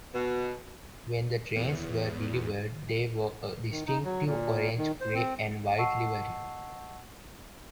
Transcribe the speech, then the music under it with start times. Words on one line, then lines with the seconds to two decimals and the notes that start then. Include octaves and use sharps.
When the trains were delivered they wore a distinctive orange, grey, and white livery.
0.14 B2
1.56 E2
3.71 D#3
3.87 D#4
4.04 F#3
4.25 A#2
4.77 D#3
5.01 C5
5.15 C4
5.77 D#5 F#5 A5 C#6 E6 C7